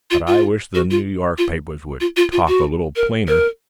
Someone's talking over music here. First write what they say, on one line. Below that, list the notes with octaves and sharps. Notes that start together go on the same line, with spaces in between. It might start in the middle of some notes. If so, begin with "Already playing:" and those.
But I wish the New York papers would talk a little plainer.
F4
F4
F#4
F4
F4
F4
F4
F4
F#4
A#4
A#4